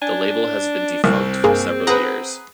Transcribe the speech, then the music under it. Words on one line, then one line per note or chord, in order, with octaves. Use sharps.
The label has been defunct for several years.
D4 G#5
C2 C4
G2 A#3 G#4
G#4 B4 F#5 A#5